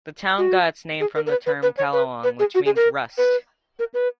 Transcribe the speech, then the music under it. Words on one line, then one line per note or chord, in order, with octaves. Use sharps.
The town got its name from the term "kalawang", which means rust.
F#4
G#4
A#4
A#4
B4
B4
B4
C#5
B4
B4
G#4
F#4
G#4
A#4
B4
A#4
B4